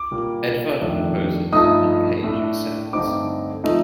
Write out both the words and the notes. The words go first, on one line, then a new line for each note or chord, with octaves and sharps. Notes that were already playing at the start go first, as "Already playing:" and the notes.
Edvard proposes and Paige accepts.
Already playing: D6
A#2 G3 A#3
F2 D#3 A3 D4
G2 F3 A3 D#4 D#6
A2 A3 D4
G2 D3 A3 C4 D#4 D6
F3 A3 D#4